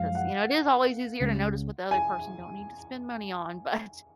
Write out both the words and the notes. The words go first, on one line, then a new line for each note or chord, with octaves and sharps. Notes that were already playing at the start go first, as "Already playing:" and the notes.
'cause, you know, it is always easier to notice what the other person don't need to spend money on, but
Already playing: F#2 F3 G#3 F5
F#5
C#2 C#3 G#3
G#5